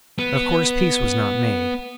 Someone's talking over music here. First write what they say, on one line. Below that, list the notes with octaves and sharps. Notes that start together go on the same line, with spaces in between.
Of course peace was not made.
B3